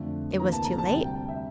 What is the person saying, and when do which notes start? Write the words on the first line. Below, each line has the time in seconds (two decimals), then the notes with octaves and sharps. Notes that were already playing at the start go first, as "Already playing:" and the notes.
"It was too late?"
Already playing: F2 D3 A3
0.39 D2 C3 E3 A#3 A#5
0.52 A5
0.64 A#5
0.78 A5
0.91 D2 C3 G3 G5
1.03 G5
1.16 G5
1.29 E5